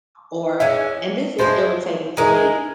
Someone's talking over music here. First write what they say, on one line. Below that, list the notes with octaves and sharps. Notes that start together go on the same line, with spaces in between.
or and this is irritating for me,
E3 G#3 C#4 E5
F3 G#3 E4 G#4 C5
G#3 E4 G#4 A#4